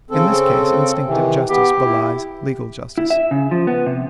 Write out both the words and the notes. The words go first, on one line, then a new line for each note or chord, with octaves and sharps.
In this case, instinctive justice belies legal justice.
C#3 C4 A4
C3 D#3 E3
B3 G4
E4
E4
E5
C#3
F3
B3
C3